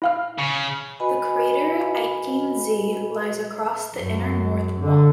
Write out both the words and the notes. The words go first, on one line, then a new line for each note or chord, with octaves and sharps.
The crater Aitken Z lies across the inner north wall.
E4 F5 F6
C#3
F#4 B4 D#5 G#5 B5
F#2
D3